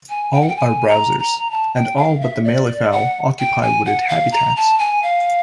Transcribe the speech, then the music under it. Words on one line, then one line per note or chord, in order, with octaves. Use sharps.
All are browsers, and all but the malleefowl occupy wooded habitats.
G#5
G5
F#5
G5
G#5
A#5
A#5
A#5
A5
G5
F5
E5
D5
F#5
G5
G#5
F#5
F5
A#5
A5
G#5
F5